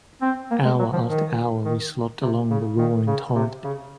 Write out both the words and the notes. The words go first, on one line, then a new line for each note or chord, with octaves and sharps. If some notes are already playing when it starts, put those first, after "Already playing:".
Hour after hour we slopped along by the roaring torrent.
C4
A#3
G#3
F#3
F3
D#3
D#3
C3
C#3
D#3
C#3
C3
C#3